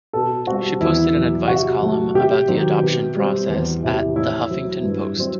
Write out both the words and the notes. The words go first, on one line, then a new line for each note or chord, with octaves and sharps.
She posted an advice column about the adoption process at "The Huffington Post".
B2 A4
G3 C4 F#4
E2 E4
B2
F#3
C3 F#4
F#3 A3
C3 G4
D#3 F#3 C4
B2
G3 C4
E2
C3 E3
A2 E4
F#3 C4
G2
F#3 C4